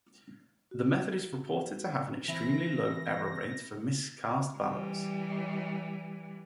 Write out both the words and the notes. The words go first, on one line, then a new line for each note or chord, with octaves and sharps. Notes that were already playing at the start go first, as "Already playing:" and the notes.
The method is reported to have an extremely low error rate for miscast ballots.
F#4
E3 C4 E4 A#6
E3 G3